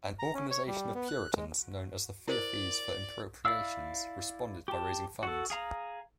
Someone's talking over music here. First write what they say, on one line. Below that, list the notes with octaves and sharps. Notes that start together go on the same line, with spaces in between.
An organization of Puritans known as the Feoffees for Impropriations responded by raising funds.
A#5
C#4
C#5
G3
B3
F#6
G#3
E4 A#4 C5 D5
E4 D5 F5 E6
G4 A5
F#4 A4
G#4 F5 A#5